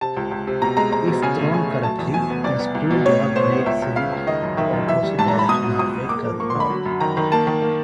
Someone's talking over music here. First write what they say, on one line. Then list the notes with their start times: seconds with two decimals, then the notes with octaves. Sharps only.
If thrown correctly, the screwball breaks in the opposite direction of a curveball.
0.01 C3 A5
0.17 C#2
0.31 C#2
0.47 C3
0.62 B2 A#5
0.77 G#3 A#5
0.92 G#3 A#5
1.07 B2
1.22 C#3 G#5
1.39 A3
1.53 C#3 G#5
1.69 A3
1.83 F#3 A5
1.99 E2
2.14 B2 G#5
2.30 B3
2.44 C2 D5
2.59 B3
2.75 C2
2.90 B2
3.06 A2 C#5
3.20 A2
3.36 B3 C5
3.51 B3
3.66 C#2 E5
3.82 C#2
3.96 C#3 F5
4.12 C#2
4.27 D#3 D#5
4.42 F#2
4.57 D#3 E5
4.73 F#2
4.88 E3 E5
5.03 G3
5.18 G#2 A5
5.28 A#5
5.33 G#2
5.39 B5
5.49 B2 D#6
5.64 F#3
5.79 C#2 D#6
5.94 B2
6.09 A#3 D6
6.25 F3
6.40 A#3 C#6
6.50 C6
6.55 D3
6.60 B5
6.70 F#3
6.86 F#2
7.00 D#3 A#5
7.17 D#3
7.32 A#3 A5
7.47 D#3
7.62 A#3